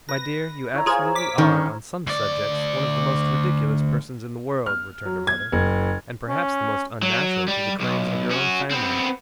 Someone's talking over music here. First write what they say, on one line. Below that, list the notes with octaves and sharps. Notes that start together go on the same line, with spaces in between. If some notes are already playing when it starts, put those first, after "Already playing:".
'My dear, you absolutely are, on some subjects, one of the most ridiculous persons in the world,' returned her mother, 'and perhaps the most unnatural to the claims of your own family.
B4 A#6
E4 C#5 A#5
F4 G#4 A#4 C5 C#5
D6 B6
D3 D#3 C#4
D2 D5
F6
F#3
G#6
F#1
C#4
F#3
G3
B1
C#4 F#4
B3 C4